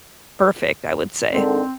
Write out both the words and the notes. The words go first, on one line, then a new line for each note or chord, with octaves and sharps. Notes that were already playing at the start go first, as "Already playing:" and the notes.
perfect, I would say.
G#2 D3 D#3 C4